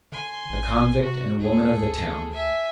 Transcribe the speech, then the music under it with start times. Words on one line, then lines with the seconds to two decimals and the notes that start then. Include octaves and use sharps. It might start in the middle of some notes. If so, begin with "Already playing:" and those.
A convict and a woman of the town.
0.12 D3 G#5 C6
0.49 A1
1.03 C3 F#4
1.40 D#2 G#4 A4
1.83 D2
2.31 E5 G#5